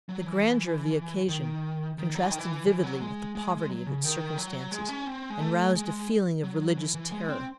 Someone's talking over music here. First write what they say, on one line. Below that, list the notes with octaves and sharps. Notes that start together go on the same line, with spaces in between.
The grandeur of the occasion contrasted vividly with the poverty of its circumstances, and roused a feeling of religious terror.
F#3
E3
D#3
D#3
F#3
E3
D#3
E3
E3
F#3
G#3
G#3
G#3
F#3
C#3
D#3
F#3
G#3
C#4
C4
G#3
A3
G#3
F#3
E3
E3
G#3
C4